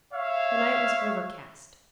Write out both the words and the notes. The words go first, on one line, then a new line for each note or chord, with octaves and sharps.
The night was overcast.
C#5 E5 F5